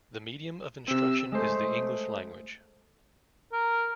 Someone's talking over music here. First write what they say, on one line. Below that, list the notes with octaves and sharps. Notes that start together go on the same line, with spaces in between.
The medium of instruction is the English language.
C3 C4 E6
G#3 A3 C5
A#4